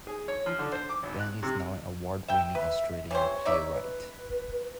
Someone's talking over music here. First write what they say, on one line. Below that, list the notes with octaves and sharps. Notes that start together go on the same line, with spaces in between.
Van is now an award-winning Australian playwright.
G#4
C#5
F3
D3
C5
D6
G#1
F#6
C3
E5 G5
B4 E5
E3 G3 C5 C#5
D#4 D5 E5
B4